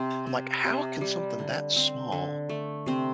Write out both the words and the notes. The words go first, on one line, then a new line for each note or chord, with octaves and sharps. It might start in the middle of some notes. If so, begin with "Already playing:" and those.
I'm like, "How can something that small
Already playing: C3 C4
C4
C3
G3
D3
C4
D3
A3
C3 C4